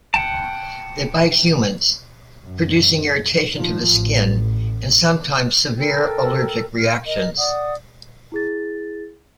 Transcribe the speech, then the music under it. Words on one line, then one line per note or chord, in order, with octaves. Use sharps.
They bite humans, producing irritation to the skin and sometimes severe allergic reactions.
F#5 G5 A5
F#2
D#3 F3
A1
A4 A#4 G5 E6
F6
A#4 D#5
D5 F#5 D#6
E4 G#4 A6